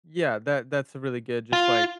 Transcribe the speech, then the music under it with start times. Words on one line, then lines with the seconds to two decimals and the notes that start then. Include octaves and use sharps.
Yeah, that that's a really good just, like,
1.53 F4